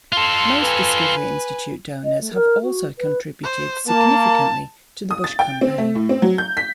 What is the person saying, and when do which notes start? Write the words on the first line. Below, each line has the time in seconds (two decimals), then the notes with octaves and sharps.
Most Discovery Institute donors have also contributed significantly to the Bush campaign.
0.13 F4 A4 C6
0.60 B4 G#5
2.04 D#5
2.21 A3
2.33 A#4
2.63 F#4
2.98 B4
3.44 C5
3.88 A#3 A5
5.11 D#6
5.24 A6
5.39 G5
5.61 C4
5.78 A3
5.95 A2
6.09 C4
6.22 F#3
6.38 G6
6.57 B6